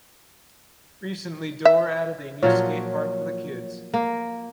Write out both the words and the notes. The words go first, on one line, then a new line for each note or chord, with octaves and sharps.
Recently Dorr added a new skatepark for the kids.
E5
A#2 F3 F#3 C#5
A#3